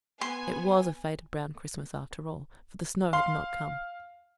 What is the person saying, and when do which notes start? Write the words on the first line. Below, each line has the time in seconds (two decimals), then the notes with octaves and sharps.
It was a faded brown Christmas after all, for the snow had not come.
0.21 B3 G#5 C6
3.13 F5 C6